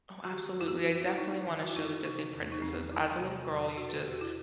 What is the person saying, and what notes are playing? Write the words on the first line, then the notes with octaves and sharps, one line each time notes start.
Oh, absolutely, I definitely want to show the Disney princesses. As a little girl, you just
F#4
D#3 G4
F#2 E4
F#4
E4
F#2
E4
G3 D#4
D#3
F#4
E4
F#2 D#4
E4
C3 D#4
E2
D#4
E2 C4
F#3 E4
C3
E2
B2 F#4
B4
A4
E2 G4
F#4
E4